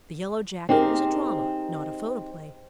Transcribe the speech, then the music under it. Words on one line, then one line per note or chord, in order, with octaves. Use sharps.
The Yellow Jacket was a drama, not a photoplay.
C4 D#4 G4 G#4 A#4